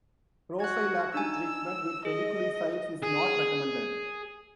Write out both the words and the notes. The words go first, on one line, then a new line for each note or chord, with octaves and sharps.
Prophylactic treatment with pediculicides is not recommended.
F#4 F#6 G#6
D4 D#4 G#5 E6
G#4 D#5
G#4